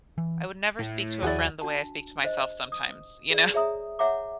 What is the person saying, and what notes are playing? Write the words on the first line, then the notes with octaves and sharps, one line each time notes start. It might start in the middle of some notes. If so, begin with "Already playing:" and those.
I would never speak to a friend the way I speak to myself sometimes. You know?
E3
A2
D#2 F3 E4 F#4 G#4 C#5 D5 G#5
D4 F#4 A5
C5 D#5
D#6
G#4 D5
G#4 C#5 E5 A#5 D#6
C#5 E5 F#5 A#5 D6